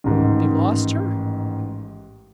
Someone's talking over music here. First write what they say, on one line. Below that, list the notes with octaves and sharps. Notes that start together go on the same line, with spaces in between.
"They lost her?"
A1 G#2 D#3